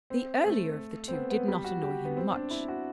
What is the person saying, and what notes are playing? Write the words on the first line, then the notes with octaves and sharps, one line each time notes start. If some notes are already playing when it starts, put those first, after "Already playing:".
The earlier of the two did not annoy him much.
C4
A3
C4
B3
B3
G3
F#4
G4
B3
C4
D4
E4
F#4